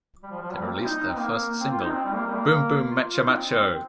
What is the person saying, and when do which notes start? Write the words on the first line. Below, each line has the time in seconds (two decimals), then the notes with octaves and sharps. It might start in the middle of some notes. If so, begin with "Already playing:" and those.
They released their first single, Boom Boom Meccha Maccho!
0.23 G3
0.31 F3
0.42 F3
0.53 G3
0.63 A#3
0.75 C4
0.81 F4
0.85 D#4
0.96 D#4
1.07 C4
1.17 A#3
1.60 C4
1.72 F4
1.82 D#4
1.93 C4
2.05 G3
2.15 A#3
2.26 G3
2.36 A#3
2.91 F4
3.13 F4
3.24 D#4
3.34 C4
3.56 C4